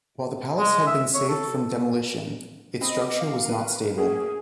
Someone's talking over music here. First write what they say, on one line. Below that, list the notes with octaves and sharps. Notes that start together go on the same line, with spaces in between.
While the Palace had been saved from demolition, its structure was not stable.
G#3
E5
C#5
A4
C4 D#5 B5
D6
F5
A#4 B4
A3 A#3 C#4 G#4